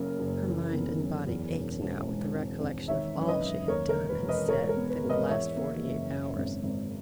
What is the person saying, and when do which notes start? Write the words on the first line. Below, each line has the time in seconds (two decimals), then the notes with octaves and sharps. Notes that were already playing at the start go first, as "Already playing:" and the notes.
Her mind and body ached now with the recollection of all she had done and said within the last forty-eight hours.
Already playing: F#1 F#2 A#3 A#4
0.19 F#1
0.47 E3
0.73 B3
1.00 F#2
1.27 E2
1.53 E1
1.81 E1
2.08 G#2
2.34 G#1
2.61 G#1
2.88 D#3 C#5 E5
3.15 F#2
3.22 C#5
3.28 B4 D#5
3.41 F#2
3.68 D#2 A#4 C#5
3.89 A#4
3.96 E1
4.09 B4
4.22 E1
4.29 B4 D#5
4.48 G#2 A#4 C#5
4.69 A#4
4.76 B3
4.89 B4
5.03 G#1
5.09 B4 D#5
5.29 E2 C#5 E5
5.56 A#3
5.83 F#1
6.09 F#2
6.36 G#1
6.63 G#1